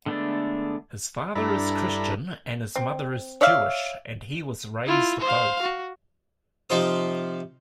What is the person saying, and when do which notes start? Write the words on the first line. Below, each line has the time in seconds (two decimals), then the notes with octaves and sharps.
His father is Christian and his mother is Jewish, and he was "raised both".
0.06 D3 G#3 A3 B3 D4
1.35 G2 D4 E4 A4 A#5 B5
2.76 C4
3.41 C#5 D5 E5 F5
4.86 E4 F4
5.20 C5 F5
5.62 F#4
6.70 C3 F3 D#4 F4 C5 D#6